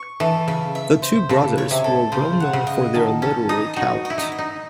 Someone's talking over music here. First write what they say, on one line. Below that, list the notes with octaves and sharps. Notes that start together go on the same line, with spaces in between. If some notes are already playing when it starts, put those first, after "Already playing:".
The two brothers were well known for their literary talent.
Already playing: C#6
E3 A4
C#3 E5
E5
C5
C#3 A4
C#5
C3
A4
C#3 C5
F#5
C#3
D#5
D#3 A4
C#4 A4
D#4 D#6
D#4 F#4
D#5
E4
D#4
D#5
D#4